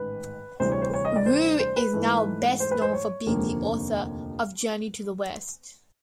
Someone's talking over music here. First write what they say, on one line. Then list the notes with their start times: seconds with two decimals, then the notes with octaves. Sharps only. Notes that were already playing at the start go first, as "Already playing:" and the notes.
Wu is now best known for being the author of Journey to the West.
Already playing: A1 G#2 D#3 B4
0.60 D2 C3 E3 G3 C5
0.72 C#5
0.82 C5
0.94 C#5
1.05 D#5
1.16 D5
1.26 C5
1.59 C5
1.76 B4
1.93 G#2 E3 A3
2.60 C5
2.71 B4
2.82 C5
2.93 C#5
3.26 F1 D#2 D3 F3 A#3